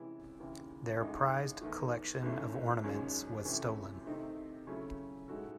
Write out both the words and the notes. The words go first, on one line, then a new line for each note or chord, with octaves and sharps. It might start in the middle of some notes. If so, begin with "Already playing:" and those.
Their prized collection of ornaments was stolen.
Already playing: C3 E3 G#3 C#4 E4
D#2 C#3 E3
A1 A2 G#3 D#4
E2 D#3 A3
G#1 G#2 E3 A3 C#4
G#1 F#2 D#3 G#3 C#4
C3 E3 A3 C#4
C3 D#3 A3 C4 D#4
C#3 F#3 A3 C#4 E4
A2 G#3 D#4 F#4 A4